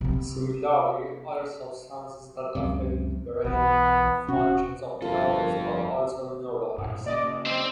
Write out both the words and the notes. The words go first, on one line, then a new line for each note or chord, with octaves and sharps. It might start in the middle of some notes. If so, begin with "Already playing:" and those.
Similarly, other substances that affect the brain and functions of neurons are also neurohacks.
C3 B3
C#2 F#2 C3
B1 E3 B3
D#1 C3 C#4 F#4
G1 F2 F4 A4 A#4
G2 A#2
C#3 A#3 D5 D#5 D6
C4 C5